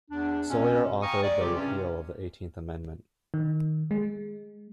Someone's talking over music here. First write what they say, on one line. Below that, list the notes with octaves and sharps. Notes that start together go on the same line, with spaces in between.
Sawyer authored the repeal of the Eighteenth Amendment.
E2 D4
B2 C4 C#4
F5 G5 G#5 A#5 C#6 D#6
G#3 D5
C#3 F#3 G#3 C4 F4 G4
G2 C3 C4 C#4
D#3
G#3